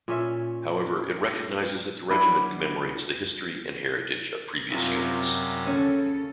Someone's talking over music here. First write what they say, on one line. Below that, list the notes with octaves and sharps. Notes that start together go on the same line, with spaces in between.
However, it recognizes that the Regiment commemorates the history and heritage of previous units.
A#2 C#4 E5
F#3 D4 E4 B4
F#2 C3 G3 C4 F4 A#4
D#2 C#3 C#4 A4